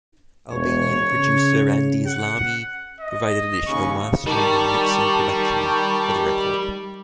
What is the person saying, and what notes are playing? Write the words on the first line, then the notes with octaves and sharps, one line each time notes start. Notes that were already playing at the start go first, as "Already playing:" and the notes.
Albanian producer Andi Islami provided additional mastering and mixing production for the record.
E1 C#5
C#3
F#5
D#5
D#2 C#3 C#6
D#3 G3 D5 A5 C#6